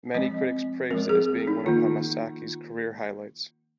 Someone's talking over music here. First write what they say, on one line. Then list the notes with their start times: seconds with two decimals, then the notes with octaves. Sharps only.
Many critics praised it as being one of Hamasaki's career highlights.
0.14 F3 G#3 C4 D#5
0.90 F3 G#3 C4 A#4
1.09 G#4
1.47 D#4
1.66 D#3 A#3 F4